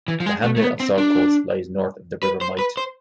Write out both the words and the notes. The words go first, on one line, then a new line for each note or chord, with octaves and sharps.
The hamlet of Saltcoats lies north of the River Mite.
E3
F3
G#3
A3
A3
B3
C4
D4
B4
C5
B4
C5